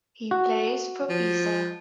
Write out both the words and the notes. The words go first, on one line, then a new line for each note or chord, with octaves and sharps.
He plays for Pisa.
F#4
F3